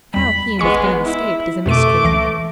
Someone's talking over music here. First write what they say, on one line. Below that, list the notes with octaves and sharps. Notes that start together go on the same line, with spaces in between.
How he and his band escaped is a mystery.
E2 G3 B5
G#1 G#3 B3 C#6 C#7
E4
F2 B2 A3 D6 D#7
C#2 E3 A#6